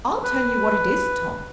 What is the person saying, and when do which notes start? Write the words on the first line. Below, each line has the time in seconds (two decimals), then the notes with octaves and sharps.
"I'll tell you what it is, Tom."
0.24 B4